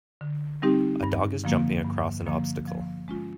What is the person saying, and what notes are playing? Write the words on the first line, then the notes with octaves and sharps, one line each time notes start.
A dog is jumping across an obstacle.
D3
G3 C4 D#4 G4
G2
D3 F3 A#3
G2
D3 F3 A#3
F3
G#3 C#4 F4